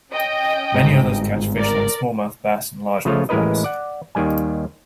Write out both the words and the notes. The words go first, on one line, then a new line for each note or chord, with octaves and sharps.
Many others catch fish like smallmouth bass and largemouth bass.
C#4 D#5 G5
G1 G#2
A#4 D5
C#3 F3 A3 F4 C#5
A1 G#3 E4 A#4 B4 D#5
D5 F#5
D#2 D#3 G3 G#5